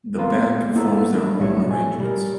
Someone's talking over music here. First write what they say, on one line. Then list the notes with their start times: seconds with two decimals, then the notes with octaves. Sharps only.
The band performs their own arrangements.
0.18 B3 C4 F4 A#4 B4
0.73 A#3 B3 E4 A4 A#5
1.13 G3 D4 E4
1.39 B1 A2 F#3 E4 A#4 C#5
1.67 B2 G#5
2.00 G3 A#4